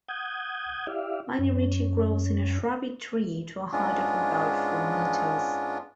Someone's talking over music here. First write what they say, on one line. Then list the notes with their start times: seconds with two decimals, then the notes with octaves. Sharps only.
Miniritchie grows is a shrubby tree to a height of about four metres.
0.08 F#5 D#6 G6 G#6
0.87 E4 G4 D5 E5 F5
1.39 F#2 C#4
3.72 G#2 G#3 B3 C#4 D4 F4